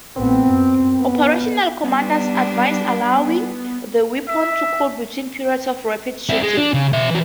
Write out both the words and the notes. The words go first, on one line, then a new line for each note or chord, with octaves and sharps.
Operational commanders advised allowing the weapon to cool between periods of rapid shooting.
A1 B3 C4
F#2
B3
G3 B3 D4
E5
C4 E4
G#3
D4
C#3
B2 E5
E3 F#4